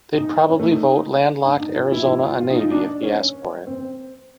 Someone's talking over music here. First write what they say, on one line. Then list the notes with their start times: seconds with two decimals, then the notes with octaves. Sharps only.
They'd probably vote landlocked Arizona a navy if he asked for it.
0.18 D#4
0.49 C#4
0.60 A3
0.71 D#4
1.45 D4
1.60 D#4
1.76 F4
1.92 E4
2.08 E4
2.24 F4
2.40 F4
2.50 D#4
2.60 D#4
2.71 D4
3.03 C#4
3.67 C4